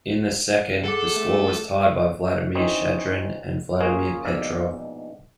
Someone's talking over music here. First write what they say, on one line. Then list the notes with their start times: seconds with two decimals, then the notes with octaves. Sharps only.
In the second the score was tied by Vladimir Shadrin and Vladimir Petrov.
0.84 G#4 A4 F#5 D6
1.14 A3
2.55 E3 C4 C#4 D#4
3.80 A#3 C#4 F4 G#4 A#4
4.25 A#1 G#2 B2 D4 E5 F5